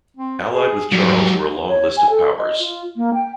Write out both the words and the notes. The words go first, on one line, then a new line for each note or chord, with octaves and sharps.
Allied with Charles were a long list of powers.
C4
G#4
G#2 F#3 G3
C#5
G#5
A4
D#5
F4
A#3
G5